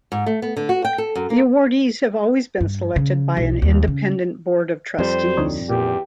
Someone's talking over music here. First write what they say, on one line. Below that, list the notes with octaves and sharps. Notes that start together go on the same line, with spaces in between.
The awardees have always been selected by an independent Board of Trustees.
G#2
A3
B3
D3
F#4
G5
A4
F#2
A#3
G2
C#3
B1
D#2
C#3
F2 G3 C5
D2 D#4 C#5
E2 A#2 G4